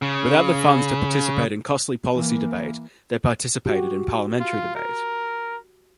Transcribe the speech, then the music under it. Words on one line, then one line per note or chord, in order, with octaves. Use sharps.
Without the funds to participate in costly policy debate, they participated in parliamentary debate.
C#3
E3 A#3
F#4 G4
F4
A#4